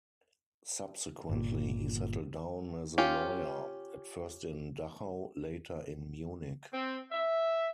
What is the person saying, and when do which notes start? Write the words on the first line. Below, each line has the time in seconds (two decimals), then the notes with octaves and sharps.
Subsequently, he settled down as a lawyer, at first in Dachau, later in Munich.
1.29 G1 A#2
2.98 C#4 F4 G4
6.72 C4
7.12 E5